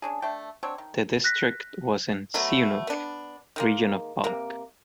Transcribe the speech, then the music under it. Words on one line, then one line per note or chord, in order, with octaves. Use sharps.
The district was in Siunik, region of Balk.
C#4 D4 G#4
A3 D4 G5
F#3 C4 D4 C#5
D#3
F#6 A#6 B6
F#3 A3 B3
B3 D4
D#3 G#3 A#3
C3 A#3